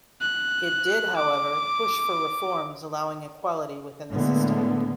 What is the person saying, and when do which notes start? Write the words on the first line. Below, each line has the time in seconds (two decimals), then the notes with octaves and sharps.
It did, however, push for reforms allowing equality within the system.
0.21 F#6
1.16 D6
4.10 A2 D3 G#3 A#3 B3